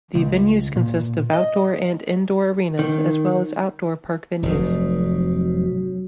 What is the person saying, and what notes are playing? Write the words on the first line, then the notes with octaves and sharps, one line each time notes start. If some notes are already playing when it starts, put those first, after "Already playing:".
The venues consist of outdoor and indoor arenas as well as outdoor park venues.
C#2
A#2
D#5
D#3
F1 G#2 F#3